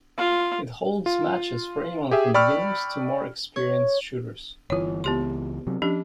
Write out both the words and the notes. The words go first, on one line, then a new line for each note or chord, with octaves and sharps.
It holds matches for anyone from beginners to more experienced shooters.
F4
F4
G4 G#4 E5
D5 G5 B5 C#6 E6 F6
C#5
G1 E3 F4 C#5
C#2 E3 B3 G4 C6
C3 F#3
F3 C#4 D4 G4